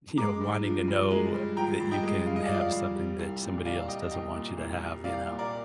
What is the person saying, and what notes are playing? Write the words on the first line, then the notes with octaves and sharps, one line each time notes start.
you know, wanting to know that you can have something that somebody else doesn't want you to have, you know?
G#3 A#5 D6
G2
F3
G2
G#3
G2
F3 G5 A#5
G2
D#5 G5
G#3
G2 F5
D#5
F3 D5 F5
D5 F5
G2
G3
C2
A#2
C2 D5 F5
G3 D#5 G5
C2 D#5 G5
A#2
C2
G3
C2 D5 F5
A#2
A#4 D5